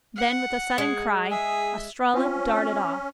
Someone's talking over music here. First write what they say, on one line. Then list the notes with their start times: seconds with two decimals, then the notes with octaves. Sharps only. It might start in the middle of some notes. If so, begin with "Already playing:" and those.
Then with a sudden cry Estralla darted off.
0.16 F#5
0.78 G#3
1.31 G#4 E5
2.14 C4 C#4 F4